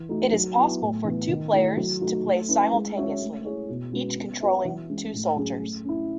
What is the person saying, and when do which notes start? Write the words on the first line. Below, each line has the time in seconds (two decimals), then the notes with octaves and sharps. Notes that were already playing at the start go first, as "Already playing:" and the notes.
It is possible for two players to play simultaneously, each controlling two soldiers.
Already playing: E3
0.09 A3 D#4 F#4
0.32 F#3
0.57 B3 E4
0.81 A2
1.04 E3 B3
1.28 D#3
1.52 A3 E4 A4
1.77 F#3
2.01 A3 D#4 F#4
2.25 A3
2.49 C#4 E4 B4
2.73 G#3
2.97 C#4 F#4 C#5 E5
3.21 A3
3.45 E4 G#4 C#5
3.69 B2
3.92 G#3 C#4 F#4 B4
4.17 B3
4.40 F#4 B4 E5
4.65 E3
4.89 G#3 C#4
5.13 A2
5.36 F#3 C#4 G#4
5.61 A3
5.85 C#4 E4